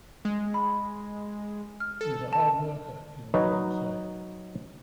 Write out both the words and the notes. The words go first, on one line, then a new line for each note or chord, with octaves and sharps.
'He is a hard worker,' you will hear them say.
G#3
B5
F6
A4
A5
F#3 D#4 B4 C#5 D#5